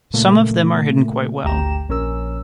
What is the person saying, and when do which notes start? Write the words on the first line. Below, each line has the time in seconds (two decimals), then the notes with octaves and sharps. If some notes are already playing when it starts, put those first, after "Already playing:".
Some of them are hidden quite well.
0.14 A#2 C#3 A3 A#3
1.44 G#1 D2 G4 G5 A#5 E7
1.89 A#1 C#4 A#4 E6